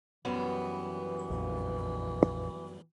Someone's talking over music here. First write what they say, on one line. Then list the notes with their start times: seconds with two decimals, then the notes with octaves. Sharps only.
The Red Lodge cemetery contains a memorial.
0.25 F#2 E3 G3 B3
1.30 A#1 F2